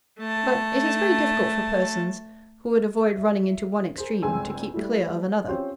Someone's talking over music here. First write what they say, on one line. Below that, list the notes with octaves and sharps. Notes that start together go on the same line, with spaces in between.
But it is very difficult for persons, who would avoid running into one extreme, to keep clear of another.
A3 A5
E5
G#4 A#4 C5
G1 C#2 C4 G#4 G#5 E6
G3 A3 E4
C4 C#4 F4 G4 C5 C#5